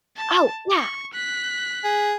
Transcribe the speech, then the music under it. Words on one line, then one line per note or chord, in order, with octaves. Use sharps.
Oh, yeah!
A5
C#6
F#6 B6
G#4